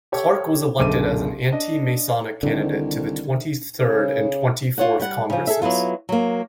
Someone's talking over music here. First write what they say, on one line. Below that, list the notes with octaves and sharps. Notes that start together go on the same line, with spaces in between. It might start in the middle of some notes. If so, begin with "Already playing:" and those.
Clark was elected as an Anti-Masonic candidate to the Twenty-third and Twenty-fourth Congresses.
G4 A4 C#5
F#1 B1 D3 D6 D#7
D4 D#5
C2 D3 D#3
C#3
F4 C#5 F#5
G3 F#5
C#3 F3
G#4 A4 E5
F#3 B3 E4 F4
F#3 A#3